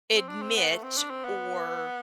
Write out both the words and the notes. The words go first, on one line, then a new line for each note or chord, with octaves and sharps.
admit or
C4
D4
C4
B3
A3
C4
D4
C4
B3